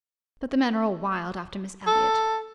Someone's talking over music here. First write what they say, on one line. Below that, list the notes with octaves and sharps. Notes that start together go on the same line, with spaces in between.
But the men are all wild after Miss Elliot.
A4